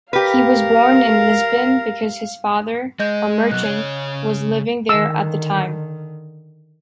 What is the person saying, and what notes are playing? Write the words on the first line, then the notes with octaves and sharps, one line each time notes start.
He was born in Lisbon because his father, a merchant, was living there at the time.
G4 A#4 B4 F5
G#3 D#5 G6
B2 F#3 F#6
C#3 C#5
D3 D#3 E6